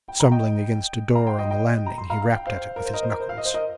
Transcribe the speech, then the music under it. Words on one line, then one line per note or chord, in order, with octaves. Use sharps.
Stumbling against a door on the landing, he rapped at it with his knuckles.
G5
A#5
D#5 G5
F5 A#5
G5 C6
D#5 G5
D#5 G5
A#5
C6
F5 A#5
F5
G5
C5 F5
A#4
C5
A#4 D#5
C5
A#4
C5
F5
D#5
C5
A#4 D#5